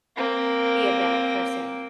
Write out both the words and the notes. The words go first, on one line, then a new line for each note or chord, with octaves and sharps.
be a better person.
A#3 C4